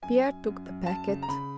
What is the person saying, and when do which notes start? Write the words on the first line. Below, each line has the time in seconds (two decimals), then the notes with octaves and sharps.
Pierre took the packet.
0.02 F#2 G#5
0.24 F#2
0.45 F#2
0.66 F#2
0.86 F#2 A5
1.08 C#3
1.23 A#5
1.28 C#3 B5